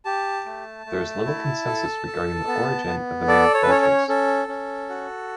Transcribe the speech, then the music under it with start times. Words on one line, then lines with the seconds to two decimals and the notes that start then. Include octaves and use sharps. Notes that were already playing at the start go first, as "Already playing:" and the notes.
There is little consensus regarding the origin of the name Belle Chasse.
0.05 G4 A5
0.46 A3
0.86 A3
1.26 E4
1.67 A4
2.07 A4
2.47 B3
2.87 B3
3.27 A4 D5
3.54 C#5
3.63 B4
3.68 C#4 C#5
3.82 C#5
4.08 C#4 A4
4.48 C#4
4.89 F#4